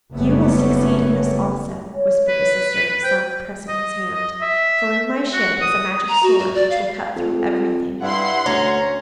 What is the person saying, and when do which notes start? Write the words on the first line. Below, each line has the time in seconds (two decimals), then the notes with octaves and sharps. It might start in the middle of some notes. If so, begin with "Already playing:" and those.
'You will succeed in this also,' whispered the Sister of the Sun, pressing his hand, 'for in my ship is a magic sword which will cut through everything.
0.12 F#1 G3 A3 B3 C#4
1.94 C#5
2.28 B4
3.04 C5 G5
3.68 D#5
4.14 D#5
4.41 E5
5.33 F#4
5.62 D#6
6.08 A#5
6.23 F#4
6.39 F#4
6.55 D5
6.70 F5
7.16 F2
8.02 G2 E4 F#5 C6
8.46 D2 C#4 A#5